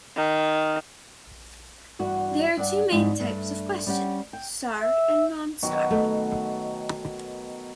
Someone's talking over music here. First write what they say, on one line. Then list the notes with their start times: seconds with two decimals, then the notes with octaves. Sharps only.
There are two main types of question-Starred and non-starred.
0.16 D#3
1.99 E2 G2 F#4 F#5
2.57 G2 D4 F#5
2.91 F2 G#2 G3
3.20 G2 A3
3.87 G3 C#4 G4 F#5
4.33 G5
4.82 E5
5.63 B2 D#3 F#3
5.91 A3